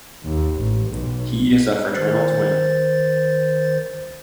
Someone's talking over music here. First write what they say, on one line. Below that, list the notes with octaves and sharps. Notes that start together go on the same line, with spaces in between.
He is a fraternal twin.
D#2
A1
B1
D#3 C5 A6